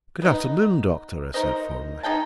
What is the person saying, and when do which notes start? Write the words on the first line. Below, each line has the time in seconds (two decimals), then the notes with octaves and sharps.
"Good afternoon, Doctor," I said formally.
0.22 B3 D#4
1.34 D#4 A#4 C5 D#5
2.03 D#4 G#4 G5 A5